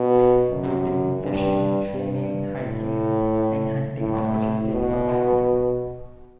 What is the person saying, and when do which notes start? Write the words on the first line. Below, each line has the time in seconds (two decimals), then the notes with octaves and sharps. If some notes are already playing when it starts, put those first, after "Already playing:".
Boating, fishing, swimming, hiking, and hunting opportunities abound.
Already playing: B2
0.51 F#2
1.21 G2
1.91 G2
2.61 A2
4.00 A2
4.71 B2